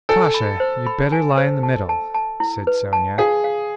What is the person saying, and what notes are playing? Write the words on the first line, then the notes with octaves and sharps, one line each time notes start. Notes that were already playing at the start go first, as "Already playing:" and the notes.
"Natasha, you'd better lie in the middle," said Sonya.
A4 G#5
B5
C5
B5
G#5
C5
A5
A5
A5
E4
B4
A5
G#4 F5
F5